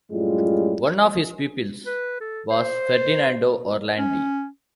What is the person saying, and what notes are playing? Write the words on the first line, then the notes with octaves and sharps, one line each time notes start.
One of his pupils was Ferdinando Orlandi.
F#2 A2 G3 G#3 F4
B4
A4
C5
C#4